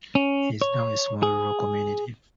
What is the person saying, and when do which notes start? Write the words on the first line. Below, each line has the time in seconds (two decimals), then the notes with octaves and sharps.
It is now a small rural community.
0.15 C#4
0.62 C#5
1.23 G#4